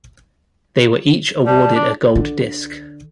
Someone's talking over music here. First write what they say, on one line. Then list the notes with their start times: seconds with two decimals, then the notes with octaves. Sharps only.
They were each awarded a gold disc.
1.47 G3 A5
1.76 D4
2.15 D3